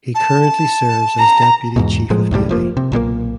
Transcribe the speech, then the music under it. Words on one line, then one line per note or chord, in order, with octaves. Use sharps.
He currently serves as Deputy Chief of Navy.
A5
A#5
E2 G#2 B2
A2 F3 G#3
C2 F#2 A2 G3
F1 F3 A#3
C3
B1 A#2 C#3 A#3